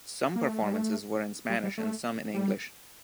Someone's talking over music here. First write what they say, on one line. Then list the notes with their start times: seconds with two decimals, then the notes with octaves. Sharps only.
Some performances were in Spanish and some in English.
0.36 A#3
0.48 A3
0.62 G3
0.74 A3
1.50 G3
1.63 G3
1.78 A3
2.34 G3